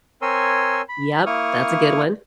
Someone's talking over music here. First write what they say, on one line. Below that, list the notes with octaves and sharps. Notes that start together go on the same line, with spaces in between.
Yep, that's a good one.
C4 A#4 C#5 G#5 C6 E6
B5
A#3 E4 C#6 D#6 F6